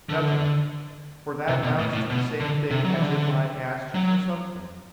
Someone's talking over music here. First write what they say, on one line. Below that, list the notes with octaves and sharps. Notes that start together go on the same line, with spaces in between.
"Nothing; for that amounts to the same thing as if I asked you for something."
D3
C3
B2
A2
A2
B2
D3
C3
F#3
E3
D3
F#3